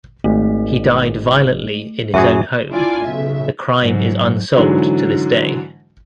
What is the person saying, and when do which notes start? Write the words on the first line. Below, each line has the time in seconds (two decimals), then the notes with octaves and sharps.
He died violently in his own home; the crime is unsolved to this day.
0.24 G#1 A3
2.14 F#2 F#4 G#4 E5
2.71 D4 E4 F4 D5 G#5
3.06 B1 C#3 E5
3.80 G#2 F#3
4.56 G#2 D3 E3 F#3